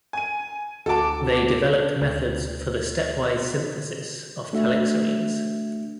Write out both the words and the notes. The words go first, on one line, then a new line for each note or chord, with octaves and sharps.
They developed methods for the stepwise synthesis of calixarenes.
G#5 D#7
D2 F#4 A4 A5 D6
D2
A3 D4 F#4 E5